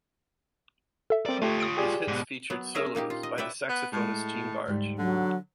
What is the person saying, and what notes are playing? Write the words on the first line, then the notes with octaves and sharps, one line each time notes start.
His hits featured solos by the saxophonist Gene Barge.
A4 E5
G3 C4 A#4 D5
A3 F4 G4 C#5
D#6 D7
G4 G#4 D5
G#2 B2
F#3 B3
C#4 G#4 A#4 E5
A#2 A#3 D#4 G4
F4
D#5
B4 C#5 D5 E5 G5
B3
A2 G#3
D2 G#2 G3
D3 F#3